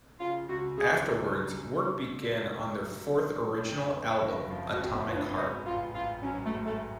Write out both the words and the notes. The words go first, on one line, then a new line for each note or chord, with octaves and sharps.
Afterwards work began on their fourth original album "Atomic Heart".
C#3 F4
C#2 F#4
C#2 G#4
F#3
C#3
C#2
B2
A3
B1
F#3
B2
A3
F2
B3
F#1
F3 F4
F#4
F2
B3
B3 F4
D4
G#2 F#4
A1 F4
A1 F4
F#3 C#4
A3
G#2
A3